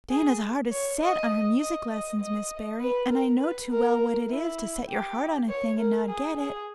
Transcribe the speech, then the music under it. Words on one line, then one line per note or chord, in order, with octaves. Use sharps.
Diana's heart is set on her music lessons, Miss Barry, and I know too well what it is to set your heart on a thing and not get it.
G#4
C#5
D#5
D#5
D#5
D#5
B4
A#4
B4
A#4
E4
G4
C#5
A#4
G#4
G#4